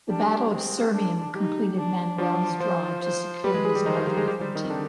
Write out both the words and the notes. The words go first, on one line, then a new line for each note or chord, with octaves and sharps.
The Battle of Sirmium completed Manuel's drive to secure his northern frontier.
G3 D4 G4
G#3 C4 G#4
D4
G3 D#4 G4
D4
F3 D4 F4
F3 F4 C5
C5
G3 G4 B4
G#3 G#4
G#3 G#4
G3 G4
D#3 D#4 C5
F3 F4
G3 G4
G#3 G#4
G3 G4
G3 G4
D#3 D#4
C4
D3 D4